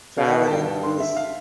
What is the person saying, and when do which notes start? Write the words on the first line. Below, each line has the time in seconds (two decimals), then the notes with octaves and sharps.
Travel in peace.
0.17 B2 F5
0.47 A5
0.51 G2 G5
0.83 C6
1.00 E5
1.17 F5